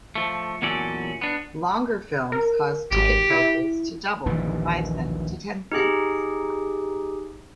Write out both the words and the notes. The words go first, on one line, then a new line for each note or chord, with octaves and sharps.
Longer films caused ticket prices to double from five cents to ten cents.
F3 A3
E2 A#2 F#3 C#4 A4 D5
B3 D4
A#4
G#1 G4
E4
A#1 D#2 A#2 E3
D#4 G4 G#4